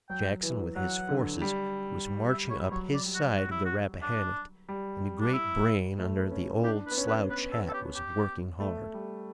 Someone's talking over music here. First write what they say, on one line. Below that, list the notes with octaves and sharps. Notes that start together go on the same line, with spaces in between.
Jackson with his forces was marching up his side of the Rappahannock and the great brain under the old slouch hat was working hard.
F#3 G5
E3
F#3 F#5
D3
G3
E5
C#5
F#3 C#5
D5
G3
F#4
F#4
E4
F#4
D4
G3
D4
E4
A3
B3
C#4
E4
D4 G4
B4
B3
C#4
B4
B3 B4
A4
A4
G4
G4
A3
G3